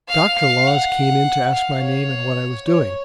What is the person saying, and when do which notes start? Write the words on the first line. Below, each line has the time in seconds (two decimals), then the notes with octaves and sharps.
Doctor Laws came in to ask my name and what I was doing.
0.09 F5
0.38 F5
0.66 F#5
1.53 F5
1.81 C#5
2.67 C#5